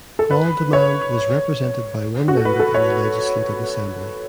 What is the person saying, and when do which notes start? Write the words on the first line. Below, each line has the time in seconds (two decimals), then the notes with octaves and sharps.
Haldimand was represented by one member in the Legislative Assembly.
0.19 A4
0.31 B4
0.73 C#5
2.28 F#4
2.37 A4
2.45 B4
2.59 A4
2.74 C#5